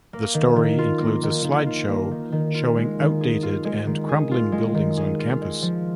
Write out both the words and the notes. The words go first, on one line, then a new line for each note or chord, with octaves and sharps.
The story includes a slideshow showing outdated and crumbling buildings on campus.
A#3
D#3
D#3
F4
A#3
D#3
D#3
F4
A#3
D#3
D#3
F4
G#3
D#3
G#4
F4
G#3
D#3
G#4
F4
G#3
D#3
G#4
F4
G#3
F3